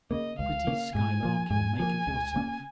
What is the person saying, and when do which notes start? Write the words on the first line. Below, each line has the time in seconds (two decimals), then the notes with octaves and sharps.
A pretty skylark you'll make of yourself!
0.11 C#3 A#3 D#5
0.39 C#2 F5
0.67 C#3 A#3
0.95 G#2 G#5
1.23 F3 A#3
1.50 G#2 G#5
1.79 F3 A#3 G#5
2.07 C#2
2.35 C#3 A#3 C#4